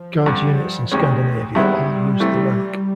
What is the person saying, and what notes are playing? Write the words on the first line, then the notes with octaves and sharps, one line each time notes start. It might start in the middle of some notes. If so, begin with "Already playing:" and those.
Guards units in Scandinavia all use the rank.
Already playing: F3
G2 D3 G3
D2 C3 D#3 G#3 C#4
G2 D#3 G3 G#3 B3 E4
C3 E3 A3